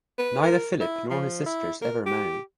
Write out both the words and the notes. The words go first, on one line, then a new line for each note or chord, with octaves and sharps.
Neither Phillip nor his sisters ever marry.
B4
A#4
E4
F3
E4
A#4
G4